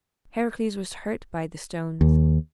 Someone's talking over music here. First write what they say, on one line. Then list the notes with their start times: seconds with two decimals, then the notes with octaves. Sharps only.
Heracles was hurt by the stones.
2.01 D#2